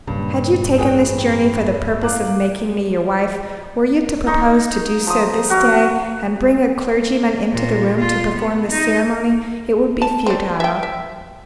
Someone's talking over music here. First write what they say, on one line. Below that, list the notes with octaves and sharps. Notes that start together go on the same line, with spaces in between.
Had you taken this journey for the purpose of making me your wife, were you to propose to do so this day, and bring a clergyman into the room to perform the ceremony, it would be futile.
G2 A#2 C#3 F#3 D4
A1 F#2 A2 G#4 B4 G5
A2 F5 A#5 D6 F#6
D#4 C#6
F3 D#6
F#4 F5
A#2
F4
B3
D#4
A5
C4 D5
E5 G5
E5